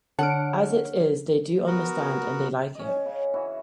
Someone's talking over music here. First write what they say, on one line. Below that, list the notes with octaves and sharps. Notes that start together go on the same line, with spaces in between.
As it is, they do understand, and they like it.
D3 D4 G#4 C#5 F#5 A5 F6 D7
B3 F#4 A#4
C#4 D#5
C#3
E3 E4 F#4